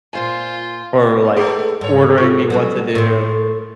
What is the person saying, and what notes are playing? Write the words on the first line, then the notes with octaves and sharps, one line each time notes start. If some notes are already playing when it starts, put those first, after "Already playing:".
or, like, ordering me what to do,
A#2 F4 C5 G#5
A3 B3 G#4 A4
G#2 A4 C#5
F4 C#6
F#3 G3 C#4
A2 C4